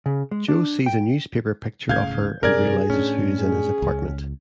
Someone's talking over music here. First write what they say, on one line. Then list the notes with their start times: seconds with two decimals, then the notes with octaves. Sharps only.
Joe sees a newspaper picture of her and realizes who is in his apartment.
0.06 C#3
0.31 G#3
0.48 D4
0.86 G5
1.89 D#1 A2 C#3 F5 G6 G#6
2.43 F#2 C3 G#4 A#4 D5 G#6
2.90 A2 C#4 D4
3.39 G#4
3.82 C#2